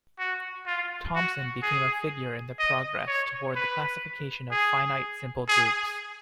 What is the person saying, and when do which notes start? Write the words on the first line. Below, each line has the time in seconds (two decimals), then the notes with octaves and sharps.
Thompson became a figure in the progress toward the classification of finite simple groups.
0.19 F#4
0.67 F4
1.15 F#4
1.63 G#4
2.59 D#5
3.07 C#5
3.55 B4
4.51 G#4
5.48 G#4